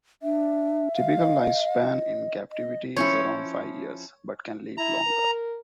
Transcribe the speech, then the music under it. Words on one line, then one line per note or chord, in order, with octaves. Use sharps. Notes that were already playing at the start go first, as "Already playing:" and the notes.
Typical lifespan in captivity is around five years, but can live longer.
D4 E5
F5
D#5
D#5
F3 C#4 E4 C#5
E4 A#5
A#4